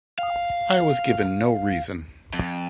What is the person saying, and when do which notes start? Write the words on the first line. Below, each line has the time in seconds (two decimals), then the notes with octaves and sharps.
I was given no reason.
0.19 F5
2.33 F2